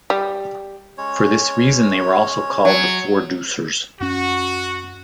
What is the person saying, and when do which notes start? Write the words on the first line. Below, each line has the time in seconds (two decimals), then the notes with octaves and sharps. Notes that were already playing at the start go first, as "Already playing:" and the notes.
For this reason they were also called the "Four-deucers".
0.10 G3
0.98 G#3 C#4 C#5
2.65 F#3
4.00 F#2 C#4 F#4